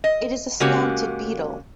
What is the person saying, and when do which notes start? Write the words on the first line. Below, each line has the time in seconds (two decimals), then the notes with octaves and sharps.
It is a snouted beetle.
0.04 D#5
0.60 C#3 G#3 A#3 C#4 F#4 G4